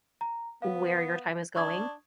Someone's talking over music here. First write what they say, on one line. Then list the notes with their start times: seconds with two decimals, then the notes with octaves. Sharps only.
where your time is going
0.21 A#5
0.62 B3 F5
1.56 D4 C#6 D#6 G#6